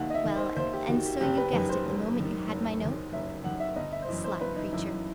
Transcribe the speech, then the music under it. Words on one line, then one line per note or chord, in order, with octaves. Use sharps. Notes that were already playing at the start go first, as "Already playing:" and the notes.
Well, and so you guessed it the moment you had my note? Sly creature!
Already playing: D#2 D#3 E5 F#5
D#5
E5
D#3
C5
D#2 C5
G4
D#3 F#4
G4
F#1 G4
B4
F#2 D#3 B4
C5
F#1
F#2 D#3
F#1
F#2
D#3
F#1 E5
F#2 D#3 F#5
E5
G1 D#5
E5
C5
F#2 E3 D#5
C5
G1 B4
D#4
F#2 E3 E4